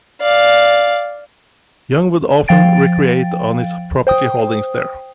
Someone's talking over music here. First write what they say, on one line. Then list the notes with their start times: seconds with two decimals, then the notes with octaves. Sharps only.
Young would often recreate on his property holdings there.
0.21 D5 F5
2.48 F3 F5 G5 A6 D7
4.07 C5 G5 D#6